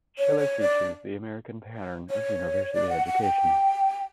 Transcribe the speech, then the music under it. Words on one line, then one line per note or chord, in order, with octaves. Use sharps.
Schiller features the American pattern of university education.
C#5
C#5
D5
C#5
D5
F#5
F#5
G5